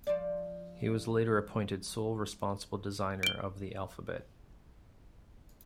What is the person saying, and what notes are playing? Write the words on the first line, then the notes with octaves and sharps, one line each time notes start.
He was later appointed sole responsible designer of the alphabet.
F3 D5
D7 G7